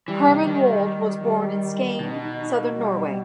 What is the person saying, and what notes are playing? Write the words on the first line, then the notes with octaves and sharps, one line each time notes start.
Herman Wold was born in Skien, Southern Norway.
E3 G3
C3
D#3 G3
G3
B2 D#4
G3